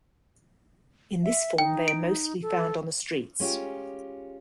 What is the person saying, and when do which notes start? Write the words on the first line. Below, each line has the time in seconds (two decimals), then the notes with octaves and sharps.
In this form they are mostly found on the streets.
1.24 E5
1.58 D#4 G5
1.88 D7
2.42 A4
3.40 G#3 C#4 F4 G4